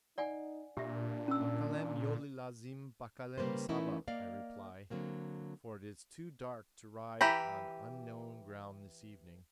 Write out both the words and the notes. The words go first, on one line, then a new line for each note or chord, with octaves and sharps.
"Bacalem yole lazim, bacalem saba," I reply, for it is too dark to ride on unknown ground this evening.
D#4 D5 F#5 G#5
A#2 D4 G4 E5
C#4 E6
C#3 G3 A#3 B4 C5
E3 A3 C#4 D#4 E4 A#4
A#3 D5 D#5 F5
D3 F#3 A#3 C4
E3 G4 A#5 B5